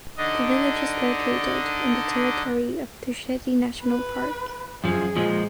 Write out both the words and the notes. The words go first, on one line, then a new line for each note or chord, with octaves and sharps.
The village is located in the territory of Tusheti National Park.
D3 D4 D#4 D#5
B4
F#2 F3 G#4
A#2 F3 G#3